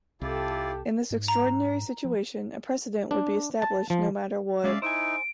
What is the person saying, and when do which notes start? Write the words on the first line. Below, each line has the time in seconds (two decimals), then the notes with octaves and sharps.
In this extraordinary situation, a precedent would be established no matter what.
0.21 C2 E4 F4 G4 A4 D5
1.11 G#2
1.28 A#5
2.05 F3
3.11 D4
3.62 A5
3.90 F3
4.64 G#3 C#4 G#4 D5 E5 F5
4.82 D#4 E4 C5 G#5 D7